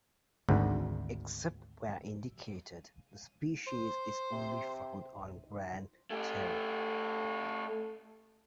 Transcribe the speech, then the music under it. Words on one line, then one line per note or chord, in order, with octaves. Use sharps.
Except where indicated, the species is only found on Grande Terre.
G#1 D2 G#2
C5
C3
A3 G4